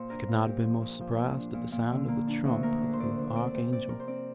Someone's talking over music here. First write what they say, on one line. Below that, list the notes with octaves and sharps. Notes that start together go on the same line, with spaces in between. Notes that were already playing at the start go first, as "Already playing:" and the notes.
I could not have been more surprised at the sound of the trump of the Archangel.
Already playing: A#2 C5
D4 A#4
A#2
A#2 G4
F3
A#2
F3
A#2
D4
A#2
A#2
D3
A#3
D4
D2
A#3 A#4
D4
C5
D3 D5
D4
C4 D5
C3
C4 D5
C4 A#4
C5
C4 D5